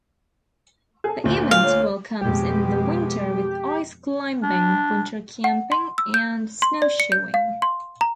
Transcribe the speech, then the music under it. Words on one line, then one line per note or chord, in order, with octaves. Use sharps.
The event welcomes in the winter with ice climbing, winter camping and snow shoeing.
G#4 A4
D2 A#2
F5
C#5
F2 B2 G#3 G4
D4
F#5
C6
E6
G6
C6
D5
C#7
G6
F5
C6
A#5